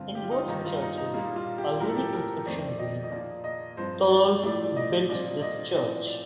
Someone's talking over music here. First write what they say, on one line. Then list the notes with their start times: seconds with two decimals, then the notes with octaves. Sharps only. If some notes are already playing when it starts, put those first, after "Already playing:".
In both churches a runic inscription reads: "Torolf built this church".
Already playing: G2 D3 F3 C4 F4
0.15 G4
0.24 F4
0.31 D#4
0.38 F4
0.48 G2 D#3 G3 A#3 D#4
0.65 F4
0.81 D#4
0.97 D#4
1.14 A#2 G3 A#3 F4
1.36 F4
1.58 G4
1.80 A2 F3 A3 A#4
1.88 A4
1.96 G4
2.04 A4
2.13 A#4
2.46 F2 D#3 A3 C4 D5
2.67 D5
2.79 D#5
3.04 D#5
3.12 A#2 F3 A#3 D5
3.44 D#5
3.77 G2 F3 C4 C5
4.10 D5
4.43 A2 F3 A3 D5
4.76 D#5
5.09 A#2 G3 C4 D5
5.42 D#5
5.75 A2 F3 C4 D5
6.07 D5